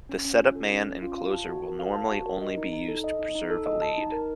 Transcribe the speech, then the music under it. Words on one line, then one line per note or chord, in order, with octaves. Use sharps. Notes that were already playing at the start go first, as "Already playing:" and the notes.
The setup man and closer will normally only be used to preserve a lead.
C#4
C#4
F4
A4
C#4
C#4
F4
F5
A5
F#4
A#4
F5
A5
F#4
A#4
D#5
D#4
D#4
A4
D#5
D#4
D#4
A4
D#5
A5
D#4
A#4